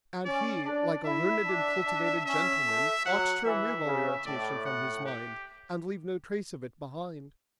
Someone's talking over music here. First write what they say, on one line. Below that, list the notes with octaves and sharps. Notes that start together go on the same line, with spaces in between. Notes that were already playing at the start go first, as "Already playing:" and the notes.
And he, like a learned and cultivated gentleman, ought to remove all irritation from his mind, and leave no trace of it behind.
C#4 D5
D4 D5
E4 E5
D4
D4
C#4 E5
A3
F#3 F#5
E3 E5
C#3
A2 D5
F#5
G4